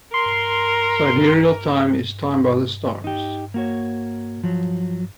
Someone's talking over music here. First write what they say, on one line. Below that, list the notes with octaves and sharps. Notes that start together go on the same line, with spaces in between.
Sidereal time is time by the stars.
A#4 C6
D#4 G4
A#3 F#4 C#5
F3 F#3